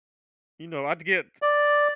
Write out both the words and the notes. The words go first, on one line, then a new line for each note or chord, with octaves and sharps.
you know, I'd get
D5